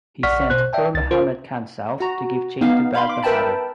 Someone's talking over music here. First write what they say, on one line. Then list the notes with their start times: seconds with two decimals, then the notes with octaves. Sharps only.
He sent Pir Muhammad Khan south to give chase to Baz Bahadur.
0.23 A#1 D5 F#5 C#6 F6 B6
0.50 B2 C5 F#6
0.73 D5 E5 G5 A5
0.95 C2 A6
1.11 F4 A#4 C5
2.00 F#4 A#5
2.61 B3 D#4 F5
2.94 F5 B5 C6
3.09 D6
3.23 A#4 B4 E5 G5 A5 B5